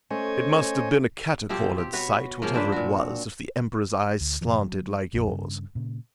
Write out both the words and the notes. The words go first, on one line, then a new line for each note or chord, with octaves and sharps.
"It must have been a catacornered sight, whatever it was, if the Emperor's eyes slanted like yours."
A3 C#4 C5 C#5 D#5 G#5
B2 F3 C4 G4
G4
F#4 B4 C#5
C#3 F3 A#3
C4 D4 B4
A#2 F#4
D2
F#2 C3 E3 F3
F#3
A#1 F2
G2 C#3
A#2 C#3